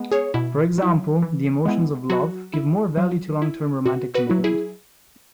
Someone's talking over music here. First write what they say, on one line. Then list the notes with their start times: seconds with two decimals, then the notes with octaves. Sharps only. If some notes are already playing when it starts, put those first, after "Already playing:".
For example, the emotions of love give more value to long term romantic commitment.
Already playing: G#3 B3
0.12 G#4 C#5
0.34 B2 E4
0.78 F#3 E4
1.22 E3
1.65 G#3 B3 E4
2.10 F#3 F#4
2.54 E4
2.97 F#3
3.42 E4
3.86 B2 F#4
4.14 F#4 B4
4.29 F#3 E4
4.44 E4 G#4